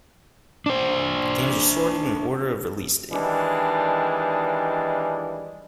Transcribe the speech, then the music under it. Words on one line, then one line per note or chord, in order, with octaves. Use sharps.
The games are sorted in order of release date.
D4 C5
D#3 E3 G3 G#3 D4